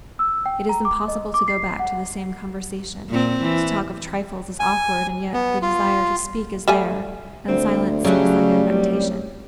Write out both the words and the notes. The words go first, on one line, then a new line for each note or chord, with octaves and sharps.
It is impossible to go back to the same conversation, to talk of trifles is awkward, and yet the desire to speak is there and silence seems like affectation.
E6
G5
A#5
D6
D#5
D6
C7
F#5
A#2 C4
E3
G#5
B3
F4
G3 A3 G#5
D2 C4
C#3 F#3 G3 A3
C2